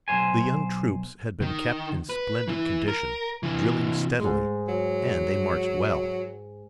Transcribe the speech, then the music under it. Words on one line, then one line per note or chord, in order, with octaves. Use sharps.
The young troops had been kept in splendid condition, drilling steadily, and they marched well.
B1 G#2 C5 G#5
D#3
B4
E3 E4
A#4
C3 E3
G#2 G#3
F#3